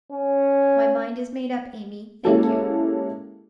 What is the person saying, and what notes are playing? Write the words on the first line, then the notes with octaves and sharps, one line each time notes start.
'My mind is made up, Amy, thank you.'
C#4
G#3 A#3 C#4 E4 G4 A4